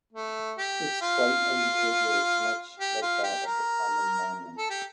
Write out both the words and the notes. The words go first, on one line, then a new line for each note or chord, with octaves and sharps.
Its flight and behaviour is much like that of the common Mormon.
A3
G4
F4
G4
F4
G4
A#4
A4
G4